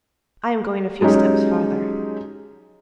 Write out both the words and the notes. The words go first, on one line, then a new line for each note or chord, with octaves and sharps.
"I am going a few steps farther."
F#3 G#3 C#4 D#4 G4